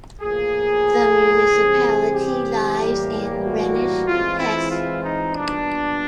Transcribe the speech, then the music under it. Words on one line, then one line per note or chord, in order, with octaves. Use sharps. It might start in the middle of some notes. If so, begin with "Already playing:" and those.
The municipality lies in Rhenish Hesse.
A2 F3 A#3 G#4
C3 E3 G3 C4
G4
A2 E3 G3 A#3
F#4
E3 G#3 C4 F4
E4
F4
D#4
A#2 G3 B3 D4